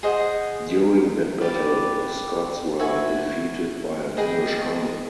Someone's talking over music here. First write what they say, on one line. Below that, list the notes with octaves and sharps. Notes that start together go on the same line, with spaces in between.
During that battle the Scots were defeated by an English army.
G#4 C5 D#5 F#5
G4 B4 D5
F#4 B4 E5 G#5
G#4 B4 D#5 G5